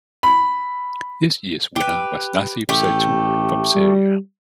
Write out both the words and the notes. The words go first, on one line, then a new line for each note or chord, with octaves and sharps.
This year's winner was Nassif Zaytoun from Syria.
B5
G4 B4
A1 A3 G4
G3